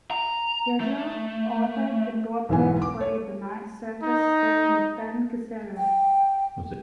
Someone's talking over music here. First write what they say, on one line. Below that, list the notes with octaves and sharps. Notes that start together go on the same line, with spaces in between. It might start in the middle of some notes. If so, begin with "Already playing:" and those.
Gazzo authored the Broadway play "The Night Circus" starring Ben Gazzara.
A#5
A3
B1 G#2 E3 B3 G#5
D6
C#5
D#4
G5